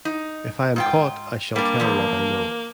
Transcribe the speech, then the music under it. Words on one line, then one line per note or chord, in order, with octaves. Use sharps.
If I am caught I shall tell what I know.
D#4
G#2 F4 G5
G3 A#3 D4
E2 F3